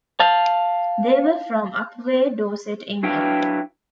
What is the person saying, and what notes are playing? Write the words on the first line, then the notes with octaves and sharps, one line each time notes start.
They were from Upwey, Dorset, England.
F5 A5
F#3 D4 E4 B4 F5 G5